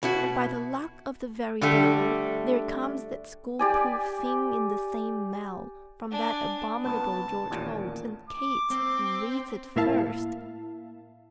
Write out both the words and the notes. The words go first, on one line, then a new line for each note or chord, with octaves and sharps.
And by the luck of the very Devil, there comes that school-proof thing in the same mail, from that abominable George Holt, and Kate reads it FIRST.
B2 E4 F#4
D3 G3 A3
G4 D5 G#5
D4 G#5
C#2 B3 A5
A1 D#2 A#2
D6
C4
A2 A#3 E4 E5 F5 A5